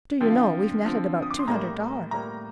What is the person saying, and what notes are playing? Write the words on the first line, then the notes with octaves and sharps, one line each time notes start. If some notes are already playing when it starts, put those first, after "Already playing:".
Do you know, we've netted about two hundred dollars.
D3 F3 C4 G5
F5
G5
D3 F3 C4
D#6
D6
C6
A2 G3 A#3 A#5
A2 G3 A#3 A#5